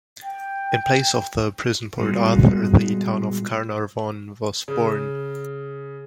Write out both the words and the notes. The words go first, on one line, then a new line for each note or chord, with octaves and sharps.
In place of the Prison Port Arthur, the town of Carnarvon was born.
G5
A#2 G3 G#3 B3 F4 F#4
C#3